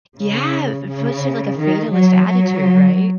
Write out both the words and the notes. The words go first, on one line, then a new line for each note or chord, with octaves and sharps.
Yeah, especially, like, a fatalist attitude, right?
C#3
C#3
D#3
F#3
F#3